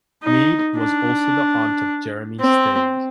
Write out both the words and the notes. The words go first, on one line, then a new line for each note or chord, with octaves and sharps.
Mead was also the aunt of Jeremy Steig.
D#4
D4
C4